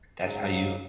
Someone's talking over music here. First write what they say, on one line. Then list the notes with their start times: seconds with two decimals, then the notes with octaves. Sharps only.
that's how you
0.22 G#2 C#3 F#3